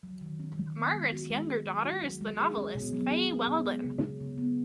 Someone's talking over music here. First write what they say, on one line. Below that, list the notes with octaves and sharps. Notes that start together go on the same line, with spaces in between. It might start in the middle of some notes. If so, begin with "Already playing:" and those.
Margaret's younger daughter is the novelist Fay Weldon.
F#3
D#3
C#4
D#3
B3
G#3
F#4
G#3
C#4
F#3
F#4
F#3
G#3
G#4
C#4
B2
F#3
G#4
B3
B2
G#3
C#3
C#4
C#3
B3